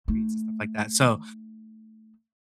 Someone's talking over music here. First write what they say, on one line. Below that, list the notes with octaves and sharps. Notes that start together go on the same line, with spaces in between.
streets, and stuff like that. So,
A3 D#4